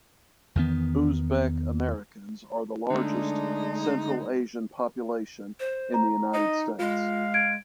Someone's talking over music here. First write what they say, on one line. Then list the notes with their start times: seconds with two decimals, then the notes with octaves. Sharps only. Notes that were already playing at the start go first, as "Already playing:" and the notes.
Uzbek Americans are the largest Central Asian population in the United States.
0.55 E2 D#3 B3
2.90 D3 G#3 A3 D4 D#4
5.60 C5
5.94 A#5
6.34 D#4 D#5
6.79 G#3 F4 F5
7.34 G#6 D7